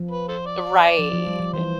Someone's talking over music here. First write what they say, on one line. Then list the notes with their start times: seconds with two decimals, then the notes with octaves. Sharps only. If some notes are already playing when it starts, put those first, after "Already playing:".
Right, eh
Already playing: F3
0.11 B4
0.28 A4 C5
0.46 D5
0.99 F3
1.13 F3
1.27 G3
1.40 F3
1.53 E3 C5